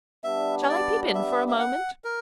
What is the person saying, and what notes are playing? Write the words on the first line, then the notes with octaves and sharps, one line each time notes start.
"Shall I peep in for a moment?"
G3 B3 D4 E5
C#5
D5
E5
E5
F#5
A#4